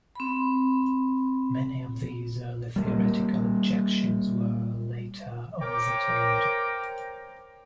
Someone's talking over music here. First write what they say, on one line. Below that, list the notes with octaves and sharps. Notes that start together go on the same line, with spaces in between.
Many of these early theoretical objections were later overturned.
C4 B5
G3 A#3
A#4 C5 C#5 G5 A#5 D6